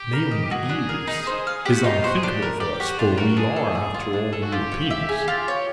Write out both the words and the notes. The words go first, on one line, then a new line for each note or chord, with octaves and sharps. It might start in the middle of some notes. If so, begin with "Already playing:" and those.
Nailing ears is unthinkable for us, for we are, after all, Europeans.
Already playing: G4
A#4
D#5
F#4 G#4
D4
A#4
D#4
C5
F5
F#4 G4
D#4 F4
F#4 C5
G#4
D4 G4
A#4
G4 D5
F#4 G4
D4 F4
F#4 A#4
D4 G#4
A4
D5
F4
D4
A4
F#4
F4 G4
C#5
E5
G#4
F4
C#5